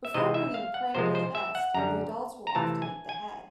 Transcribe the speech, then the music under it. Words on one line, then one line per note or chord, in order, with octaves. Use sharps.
Before bringing prey to the nest, the adults will often eat the head.
E5
C3 E3 G#3 C4 D#5
E5
F5
F#5
C3 F3 G#3 C5
C5
E5
F#5
F#2 D3 G3 A#5
A#5
C3 E3 A3 A5
G#5
G#5